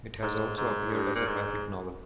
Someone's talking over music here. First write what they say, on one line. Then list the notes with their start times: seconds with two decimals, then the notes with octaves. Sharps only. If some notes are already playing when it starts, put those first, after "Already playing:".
It has also appeared as a graphic novel.
0.22 G#2
0.58 G#2
0.93 G2
1.16 A#2
1.27 G#2